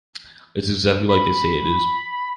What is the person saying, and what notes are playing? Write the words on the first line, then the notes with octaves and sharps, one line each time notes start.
It’s exactly like they say it is.
B5